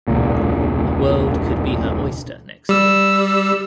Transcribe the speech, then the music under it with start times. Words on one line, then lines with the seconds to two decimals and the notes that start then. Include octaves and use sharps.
The world could be her oyster next year.
0.08 E1 C#2 A#2
2.69 G3 E6